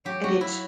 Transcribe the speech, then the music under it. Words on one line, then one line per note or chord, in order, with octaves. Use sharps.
and it's
F#3 G4
F#4
F#3 E4